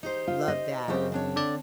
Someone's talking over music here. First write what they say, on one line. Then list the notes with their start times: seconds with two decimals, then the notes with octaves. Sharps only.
Love that.
0.03 D#4 G4 C5
0.28 F4
0.48 D#5
0.88 F#2 C#3 C4 G4 G5
1.12 C4 D4 C#5
1.36 D3 D5